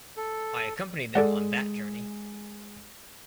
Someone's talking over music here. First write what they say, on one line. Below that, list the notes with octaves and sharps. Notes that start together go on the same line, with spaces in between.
I accompanied them on that journey...
A4
G#3 A4 D5 F#5